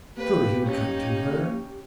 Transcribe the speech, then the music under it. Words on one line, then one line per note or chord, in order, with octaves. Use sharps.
Surely he would come to her!
A#3 G4 B4
C#4 D#4